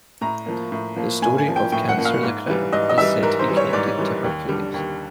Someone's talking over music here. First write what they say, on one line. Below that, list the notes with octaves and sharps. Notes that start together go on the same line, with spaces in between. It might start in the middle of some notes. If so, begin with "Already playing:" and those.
The story of Cancer the Crab is said to be connected to Hercules.
A2 A#5
F3 A#3
A2
F3 A#3
A2 G#5
G#5
F3 A#3
G5
A2 G5
F#5
F3 A#3
F5
G#2
E3 G3
G#2 D#5
D#5
E3 G3 E5
G#2 A#4
C5
E3 G3
C#5
G#2 D5
E3 G3
D#2
D3 G3
D#2